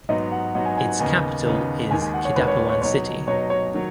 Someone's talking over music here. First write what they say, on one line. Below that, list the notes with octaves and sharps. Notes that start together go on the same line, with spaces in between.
Its capital is Kidapawan City.
G#2 F#3 B3 D#4 D#5
F#5
G#2 F#3 B3 D#4 F#5
G#5
G#5
F#5
D#2 C#3 B3 D#4 G#5
D#2 C#3 B3 D#4
D#2 D#3 G#3 G#5
G#5
F#5
C#5
D#2 D#3 G#3 B4
C#5
C#5
B2 F#3 D#4 C#5
B2 F#3 D#4 C#5
C#5
D#3 F#3